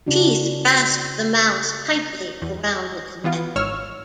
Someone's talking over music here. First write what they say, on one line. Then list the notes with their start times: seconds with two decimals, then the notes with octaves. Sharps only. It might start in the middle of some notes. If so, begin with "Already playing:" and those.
Teeth grasp the mouse tightly around its neck.
0.07 C#3 C#4 D4 E4 F#4
2.42 E2
3.24 E3 B3 F4
3.56 G#1 C#5 E6 F6